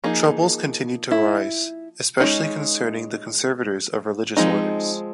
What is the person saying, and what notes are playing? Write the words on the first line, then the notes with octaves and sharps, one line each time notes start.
Troubles continued to arise, especially concerning the conservators of religious orders.
F3 A#3 D#4 G#4
E4
G#3 C#4 D#4
F3 G#3 C4 D#4